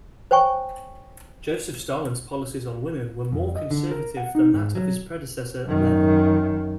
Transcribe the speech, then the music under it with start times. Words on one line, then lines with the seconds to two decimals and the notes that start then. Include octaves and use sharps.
Joseph Stalin's policies on women were more conservative than that of his predecessor Lenin.
0.31 C5 C#5 G5 G#5 C#6
3.32 F2
3.56 D#5
3.71 D3
3.91 A#4
4.17 F#5
4.35 D#4
4.53 G#2
4.75 F#3
5.66 F#2 D#3